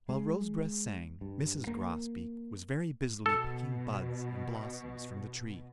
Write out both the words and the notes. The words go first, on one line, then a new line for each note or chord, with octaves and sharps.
While Rosebreast sang, Mrs. Grosbeak was very busily picking buds and blossoms from the tree.
G#3
G2
A#3
B2 A4